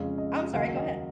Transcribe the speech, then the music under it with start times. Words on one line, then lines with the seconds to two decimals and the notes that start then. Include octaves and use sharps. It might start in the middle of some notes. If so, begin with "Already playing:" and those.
Oh, I'm sorry, go ahead.
Already playing: F2 C#3 G#3 C#4 F5
0.18 D#5
0.53 D#2 C#3 F#3 A#3 F5
0.76 D#5